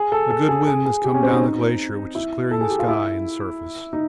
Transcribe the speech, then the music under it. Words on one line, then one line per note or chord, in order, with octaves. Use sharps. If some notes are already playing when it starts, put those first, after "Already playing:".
A good wind has come down the glacier which is clearing the sky and surface.
Already playing: G#4
A4
A4
G#4
G#4
G#4
G4
C#4
C4
D#4
E4
A4
G#4
G4
F4
E4
D#4